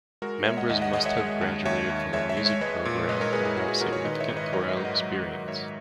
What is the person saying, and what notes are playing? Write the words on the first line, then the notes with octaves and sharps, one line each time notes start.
Members must have graduated from a music program or have significant choral experience.
G#3 F#4 A#4
G#3 C#5 E5
D#5 F#5
D#2 D#5 F#5
D#5 F#5
G#3 D#5 F#5
C#5 E5
G#3
D#2
D#2 C#5 E5
D#2
G#3 C#5 E5
C#5 E5
G#3
C#5 E5
G#3 B4 D#5
A#2
G#3 B4 D#5
A#4 C#5
A#2 G#4 B4
E4 G#4
G#3 F#4
E4 G#4
A#2 F#4 A#4
A#4 C#5
D#3 B4 D#5
C#5 E5
G#2
B4 D#5
F#3 A#4 C#5
C#5 E5
G#2
D#5 F#5
F#3
F#3
G#2 C#5 E5